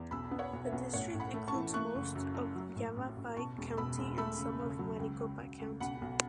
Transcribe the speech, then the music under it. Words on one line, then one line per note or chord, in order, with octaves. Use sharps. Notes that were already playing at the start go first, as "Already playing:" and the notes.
The district includes most of Yavapai County and some of Maricopa County.
Already playing: E2
B1 B5 E6
B3
C#5 F#5
B1
B4 E5
B1
A2 C#5 F#5
A2
F#5 B5
A3
A5 C#6
E3
A3 C#6 F#6
F#1
F#2
F#2
F#3
A2
A1
A1
B2 A5 C#6
E1
B2 B5 E6
E1
A3 B5 E6
C#3
C#3
F#3
C#2
C#2
C#2
C#2
B1 F#5 B5
B1